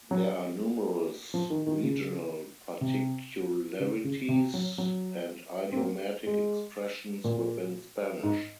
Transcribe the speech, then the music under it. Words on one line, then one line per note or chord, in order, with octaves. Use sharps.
There are numerous regional particularities and idiomatic expressions within Spanish.
F#3
F3
D#3
D#3
C#3
C3
C#3
C#3
C3
F#3
F#3
C4
A#3
G#3
A#2
G#2